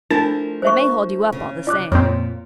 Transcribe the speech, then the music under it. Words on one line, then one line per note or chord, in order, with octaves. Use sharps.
They may hold you up all the same.
F3 A3 D4 E4 A#4 A5
C5 E5 C#6
C#3
F4 D5 D6 F#6
F2 A#2 C4 C#5